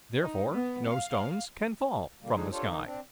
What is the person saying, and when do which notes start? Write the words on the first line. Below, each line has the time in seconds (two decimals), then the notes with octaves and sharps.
Therefore no stones can fall from the sky.
0.22 D#4
0.52 B3
0.88 F5
2.22 B2 D3 G3 A#3
2.34 D3 F3 G#3 D4 D#4 G#4
2.52 D4 F4 G4 A4 C5 C#5
2.67 D#3 D#4
2.84 C4 D4